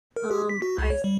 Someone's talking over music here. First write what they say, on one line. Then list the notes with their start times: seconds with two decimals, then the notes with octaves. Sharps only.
Um, I
0.16 A#4
0.31 G4
0.49 B6
0.62 F#4
0.78 C2
0.90 C#5
1.04 G3